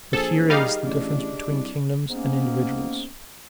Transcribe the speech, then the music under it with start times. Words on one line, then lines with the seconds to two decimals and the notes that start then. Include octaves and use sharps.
But here is the difference between kingdoms and individuals.
0.13 A#1 G#4 A4 C5
0.50 D#3 G3 D#4 G4 G#4 D#5 F5
0.86 A1 D4
1.49 C2
2.10 G#2 A#3 B3 C#4